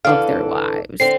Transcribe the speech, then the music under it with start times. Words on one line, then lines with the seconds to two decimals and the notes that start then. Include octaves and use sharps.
of their lives.
0.05 D3 E3 A4 F5
1.00 D3 C4 C7